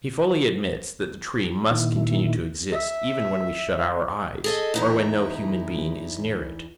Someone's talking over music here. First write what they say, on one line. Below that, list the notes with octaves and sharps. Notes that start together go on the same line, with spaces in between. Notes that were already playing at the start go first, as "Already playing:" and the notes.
He fully admits that the tree must continue to exist even when we shut our eyes or when no human being is near it.
A#2 D#3 E4
E5
G#4 A4 D#5
E2 D#4 E4